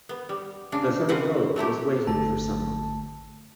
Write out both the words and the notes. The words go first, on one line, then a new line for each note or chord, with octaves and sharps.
The third boat was waiting for some one.
B3
G3
C#3 D4
C#3 A#3 C4 B4 D#5 F#5
F#3 A3 E4 G4
G#1 D3 A3 A5